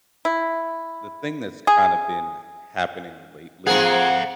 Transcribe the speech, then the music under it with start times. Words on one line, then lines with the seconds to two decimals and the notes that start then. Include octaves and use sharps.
the thing that's kinda been happening lately,
0.25 E4
1.67 G#4
3.67 F3 A#3 C4 G#4 A4 F5 F#5